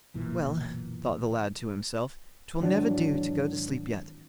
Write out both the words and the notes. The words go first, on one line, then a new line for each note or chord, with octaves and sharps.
'Well!' thought the lad to himself, ''twill never do to go to sleep yet.
F#1 B1 A#2 E3
G#1 E3 F#3 D4